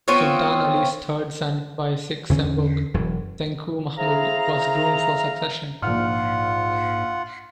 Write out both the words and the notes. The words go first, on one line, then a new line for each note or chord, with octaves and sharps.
Sultan Ali's third son by Cik Sembuk, Tengku Mahmud was groomed for succession.
B3 C4 F4 C#5
E2 D3 C#4
E1 F#2 E3
E4 G#4 C5 F5 A#5
A#1 G#2 F4 F#5 F6